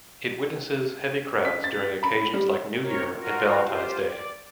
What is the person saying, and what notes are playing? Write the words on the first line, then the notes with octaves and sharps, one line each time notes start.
It witnesses heavy crowds during occasions like New Year and Valentine's Day.
B6
A6
B5
G3
A#3 C4 A#4 C#5
F4 F#4 A#4
F4 G4 C5
D5